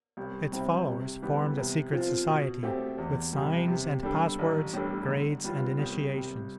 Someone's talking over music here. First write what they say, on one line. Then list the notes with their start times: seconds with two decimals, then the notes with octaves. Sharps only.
Its followers formed a secret society, with signs and passwords, grades and initiations.
0.17 C2
0.52 C3 G3 C4 E4
0.88 C3
1.22 E3 G3 B3
1.57 C3
1.92 F3 C4 F4
2.27 B2
2.63 A3 C4 G4
2.98 E2
3.33 C3 G3
3.68 C3
4.03 G3 D4 A4
4.39 A1
4.73 A2 G3 D4 A4
5.08 D3
5.44 G3 B3 F4
5.78 C2
6.14 C3 G3